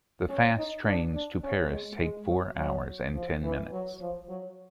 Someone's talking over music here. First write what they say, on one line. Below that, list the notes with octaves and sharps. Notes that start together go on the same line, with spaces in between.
The fast trains to Paris take four hours and ten minutes.
C#4
D#4
D4
D4
C#4
G#3
G#3
F#3
F#3
F3
E3
F#3
F3
F#3